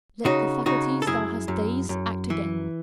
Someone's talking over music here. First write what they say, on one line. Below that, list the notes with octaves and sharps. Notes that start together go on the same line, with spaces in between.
Let the faculties thou hast dazed, act again.
C#3 D#4 F#4
C#3 D#4 F#4
A4
F#2 E4 G#4
F#2
F#2
E3